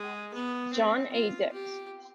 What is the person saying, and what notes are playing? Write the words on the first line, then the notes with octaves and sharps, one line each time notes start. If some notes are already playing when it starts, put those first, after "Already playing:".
John A. Dix.
Already playing: G#3
B3
C4
F4
G4